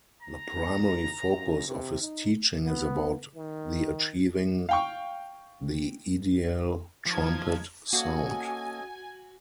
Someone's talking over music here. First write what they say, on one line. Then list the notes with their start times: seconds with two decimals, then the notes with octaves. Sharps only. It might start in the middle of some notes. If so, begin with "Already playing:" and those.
The primary focus of his teaching is about the achieving the ideal trumpet sound.
0.23 A#5
0.89 D2
1.24 F#2
1.67 C3
2.01 D#4
2.64 B3
3.35 D#3
4.69 F5 G5 C#6
7.06 F3 D#4 A5 G#6
7.93 A#3 C#4 F#4 A4 D#5 G#5